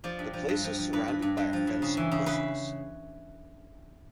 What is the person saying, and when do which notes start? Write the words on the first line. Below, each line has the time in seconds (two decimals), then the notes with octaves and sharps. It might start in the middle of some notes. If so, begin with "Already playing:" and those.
The place is surrounded by a fence of bushes.
0.04 F3 D5
0.19 G2
0.33 F3
0.49 G2
0.64 F3
0.78 F3
0.93 G2 B4
1.08 G2
1.22 G2
1.37 G2
1.53 F3
1.67 G2
1.82 C#3
1.97 E3
2.12 C#3
2.26 C#3 B4